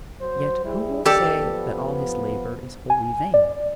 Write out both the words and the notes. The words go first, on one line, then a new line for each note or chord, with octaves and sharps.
Yet who will say that all his labour is wholly vain?
F#3 C5
G3 E4 G#4
D2 D#3 G4 A4 D5
F3 B3
G#5
D5